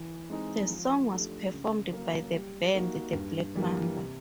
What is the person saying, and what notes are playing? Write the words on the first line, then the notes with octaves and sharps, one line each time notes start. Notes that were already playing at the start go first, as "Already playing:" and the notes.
The song was performed by the band The Black Mamba.
Already playing: E3
G#3 C4 D#4 G#4
F3
A3 D4 G4
C#3
F#3 A#3 C#4
G3
A#3 D#4 F#4
G2
E3 G3 A#3
C3